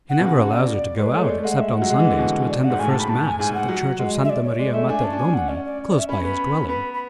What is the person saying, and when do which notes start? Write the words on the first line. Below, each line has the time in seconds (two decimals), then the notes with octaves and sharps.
He never allows her to go out except on Sundays to attend the first mass at the Church of Santa Maria Mater Domini, close by his dwelling.
0.09 F#5
0.19 B2
0.24 C#3 F#5
0.39 F#5
0.54 D5
0.99 G#3 B4
1.14 A3 C#5
1.23 G#3
1.29 A3 D5
1.39 A3
1.43 G#3 F#5
1.60 E5
1.74 F#5
1.82 F#3
1.89 G#3
1.99 E3
2.09 D3
2.19 B2
2.48 D5
2.64 F#5
2.70 G#2
2.79 A2 G#5
2.89 A5
3.00 B5
3.09 A5
3.24 G#5
3.39 G#2 G#5
3.54 F#5
3.69 F#3
3.99 G#3
4.24 E5
4.29 D5
4.44 C#5
4.59 G#3 D5
4.73 A3 E5
4.88 D4 G#5
5.01 C#4 A5
5.13 D4
5.19 G#5
5.34 F#5
5.49 C#4 D5
5.64 D5
5.89 D5
5.99 E5
6.08 C#4 B5
6.24 B3 B5
6.69 B3 B5
6.94 B5